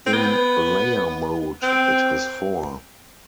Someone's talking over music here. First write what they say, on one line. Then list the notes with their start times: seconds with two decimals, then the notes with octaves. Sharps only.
In Layer mode, it has four.
0.06 C4
0.13 B3
1.63 C4